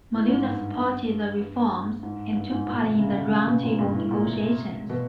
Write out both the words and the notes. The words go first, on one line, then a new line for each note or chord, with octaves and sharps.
Maleuda supported the reforms and took part in the round table negotiations.
A2
G#2
G2
G2
G2
G#2
G2
G#2
A#2
C3
C#3
D3
C#3
B2
A#2
G2
A2
A#2
C3
B2